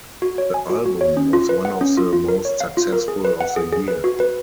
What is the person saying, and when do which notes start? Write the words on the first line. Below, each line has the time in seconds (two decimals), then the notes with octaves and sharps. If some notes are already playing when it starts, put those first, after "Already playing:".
The album was one of the most successful of the year.
0.22 F#4
0.38 C#5
0.54 G#5
0.70 F#4
0.86 F#4
1.01 C#5
1.17 C#4
1.33 F4
1.49 B4
1.65 F#5
1.81 C#4
1.97 F4
2.13 F4
2.28 A#4
2.45 C#5
2.60 F5
2.77 F4
2.93 A#4
3.08 G#4
3.25 B4
3.41 F#5
3.56 G#4
3.72 G#4
3.88 B4
4.04 F#4
4.20 B4